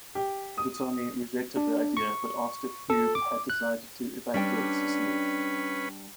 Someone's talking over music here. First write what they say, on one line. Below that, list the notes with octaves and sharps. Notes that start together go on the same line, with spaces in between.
Guzzoni rejected the idea but asked if Hube had decided to evacuate Sicily.
G4
D#6
D4
C#6
A4
D6
F#6
G3 C#4 D4 B4 G5